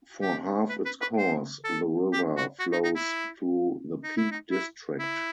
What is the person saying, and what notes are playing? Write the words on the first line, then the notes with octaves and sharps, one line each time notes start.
For half its course, the river flows through the Peak District.
G4
B4
B4
B4
C5
A4
G4
F#4
F#4
D#4
D#4
E4
D#4
E4
D#4
E4
E4